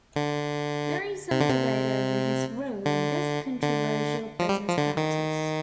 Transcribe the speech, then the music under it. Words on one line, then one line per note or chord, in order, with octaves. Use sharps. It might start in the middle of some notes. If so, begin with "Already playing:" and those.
There is some debate over his role in this controversial business practice.
D3
C3
D3
C3
D3
D3
F3
G3
F3
D3
D#3